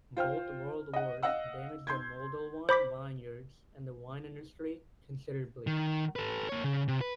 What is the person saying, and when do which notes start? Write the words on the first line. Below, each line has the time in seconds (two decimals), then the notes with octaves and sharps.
Both World Wars damaged the Moldolvan vineyards and the wine industry considerably.
0.17 F4 C5 G5 F6
0.94 D#5 F#5
1.23 D#5 F5 F#5 E6
1.87 C6 G6 G#6
2.69 C5 B5 D6 B6
5.67 D#3
6.16 A4 B4
6.49 A#3 C#5
6.64 C#3
6.88 C3
7.01 B4